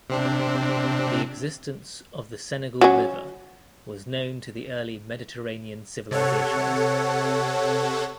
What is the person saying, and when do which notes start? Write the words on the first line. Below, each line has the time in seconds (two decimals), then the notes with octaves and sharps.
The existence of the Senegal River was known to the early Mediterranean civilizations.
0.10 C3 C4 D4
2.81 F#3 C#4
6.11 C3 A4 C#5 F#5